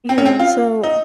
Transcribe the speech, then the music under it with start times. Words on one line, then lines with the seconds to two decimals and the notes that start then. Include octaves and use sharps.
Yeah. So,
0.09 C4
0.18 C#4
0.26 C4
0.39 F4
0.84 D#4